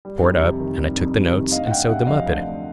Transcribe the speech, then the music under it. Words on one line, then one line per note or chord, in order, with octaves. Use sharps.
I tore it up, and I took the notes and sewed them up in it.
G3
F2
C3
D#3
G3
F2
C3
D#3
D2 D#5 F5
F#5
D2 F5 G5
C3 E5 F#5
F3 D#5 F5
D2
D2